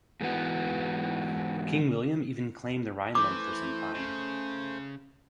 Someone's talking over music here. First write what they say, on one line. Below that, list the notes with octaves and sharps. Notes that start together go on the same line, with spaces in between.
King William even claimed the Rhineland for some time.
G#2 E3 B3 F#4
E3 A3 C5 D6
C#3